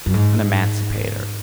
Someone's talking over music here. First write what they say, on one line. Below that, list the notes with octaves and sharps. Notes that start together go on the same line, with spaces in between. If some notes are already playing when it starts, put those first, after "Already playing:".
An emancipator?
F#2
G#2